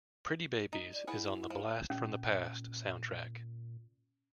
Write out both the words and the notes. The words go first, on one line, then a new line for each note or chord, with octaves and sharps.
"Pretty Babies" is on the "Blast from the Past" soundtrack.
D#4
D5
E4 G#4 B4 F#5
F3
A#2 C#4